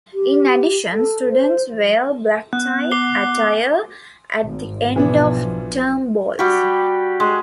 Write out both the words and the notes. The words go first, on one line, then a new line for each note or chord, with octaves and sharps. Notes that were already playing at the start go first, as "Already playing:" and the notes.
In addition, students wear black tie attire at the end of term balls.
G4
A4
C5
B3 F#6
D6 C7 G7
G#1
B1 E3 F3 B3 D4
G3 F#4 G4
G#3